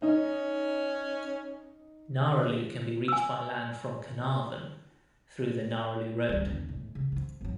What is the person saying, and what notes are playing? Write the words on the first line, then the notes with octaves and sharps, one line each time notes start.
Gnaraloo can be reached by land from Carnarvon through the Gnaraloo road.
C#4 D#4
G#5 E6
D2 G3
E2 D3
A2 G#3
C#3
F3 C4
G#1 F#3